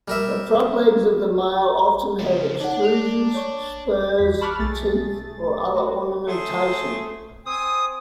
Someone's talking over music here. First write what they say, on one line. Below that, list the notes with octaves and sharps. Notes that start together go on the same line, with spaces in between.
The front legs of the male often have extrusions, spurs, teeth, or other ornamentation.
G3 A#4 E5
C#3 F3
D4 D#4 C#5 F#5
F7
C#5 D5 C#6
E2 B6
A5 B5 C#6 D6 F6 F#6
B1 A3 G#4 A6
F#4
A3 G#4 C5
C4 G#5 D#6